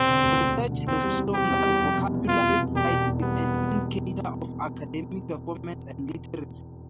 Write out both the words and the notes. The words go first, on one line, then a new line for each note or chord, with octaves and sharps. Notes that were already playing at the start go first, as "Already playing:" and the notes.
Research has shown that vocabulary size is an indicator of academic performance and literacy.
Already playing: E1 C3 C4
D3
D2
E1
E1
D3
E2 C4
G3
C3
C4 G4
E2
G3
F1
B2
E2
B3 F4
F1
B2
E1 G4
B2
E2
G3 B3